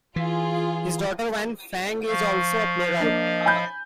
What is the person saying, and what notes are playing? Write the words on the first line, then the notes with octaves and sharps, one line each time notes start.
His daughter Wan Fang is also a playwright.
E3 F4 G#4
F3 F5 C#6
A#3 D4 D#5
G#5 B5 G6